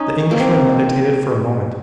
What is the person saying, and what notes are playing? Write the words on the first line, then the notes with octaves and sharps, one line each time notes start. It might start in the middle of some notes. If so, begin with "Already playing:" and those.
The Englishman meditated for a moment.
Already playing: C#4 D#4
A#3
C4